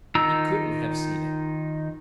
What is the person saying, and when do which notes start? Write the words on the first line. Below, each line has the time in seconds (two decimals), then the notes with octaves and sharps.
He couldn't have seen it ...
0.15 D#3 D#4 F4 A#5 E6